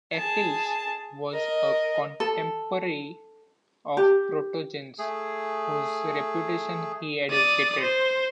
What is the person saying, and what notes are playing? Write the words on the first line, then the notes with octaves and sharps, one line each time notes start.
Apelles was a contemporary of Protogenes, whose reputation he advocated.
G#4 A5
A#4 D#5
A4
G4
A3 G#4
D5 D#6
C5